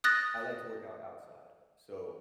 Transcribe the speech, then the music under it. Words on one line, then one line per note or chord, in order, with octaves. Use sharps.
I like to work out outside. So,
D#6 F#6 A6 A#6